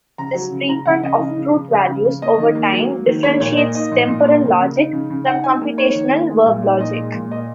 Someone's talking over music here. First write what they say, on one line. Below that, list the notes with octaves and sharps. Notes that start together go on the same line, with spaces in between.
This treatment of truth values over time differentiates temporal logic from computational verb logic.
C#3 A#5
F#3
C#3
C#3 A#5
C#3 F#5
C#3 D#5
C#3
C#3
C#3
C#3
C#3
C#3
A#3 D#5
D#3
A#3
F#3
A#3
D#3
A#3 C#5
A#2 C#5
A#3 D#5
D#4 D#5
A#2
A#2
A#3
C#3
C#3
D#4
C#3
C#3
D#4 F#5
D#4 G#5
A#3
D#4 C#5
D#3
A#3
G#3
A#2
D#4
A#2 D#5
G#3
A#2
A#3 D#5